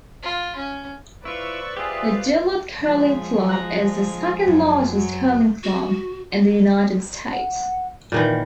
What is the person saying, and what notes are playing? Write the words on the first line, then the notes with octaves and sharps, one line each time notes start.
The Duluth Curling Club is the second largest curling club in the United States.
F4
C#4
E4 F4 B4 C5 D5 C#6 E6
F4 G4 G#4 E5
F5
F3 G#3 F#6 A6 B6
A#5 F#6
F#2
F#3
F#4
F#5
A#2 D#3 E3 A#4